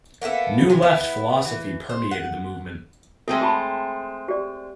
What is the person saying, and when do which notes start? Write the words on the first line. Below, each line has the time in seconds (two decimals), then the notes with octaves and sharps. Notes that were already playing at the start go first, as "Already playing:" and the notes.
New Left philosophy permeated the movement.
0.22 A#3 B3 E4 A4
0.70 C3 G#5
0.82 B3 E4
1.45 E3
1.89 C5
2.11 F#5
3.28 G#3 A3 C4 A4
3.41 G#4 A5 B5
4.28 G4 D5